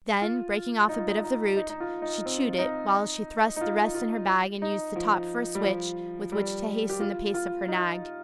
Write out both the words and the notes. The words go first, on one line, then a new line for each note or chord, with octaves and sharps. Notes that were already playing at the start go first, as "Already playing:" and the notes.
Then, breaking off a bit of the root, she chewed it, while she thrust the rest in her bag and used the top for a switch with which to hasten the pace of her nag.
F4
D#4
F4
D#4
D#4
D#4
D#4
F4
D#4
C4
D#4
D#4
F4
F4
D#4
F3
G3
F3
G3
G4
F4
F4
D#4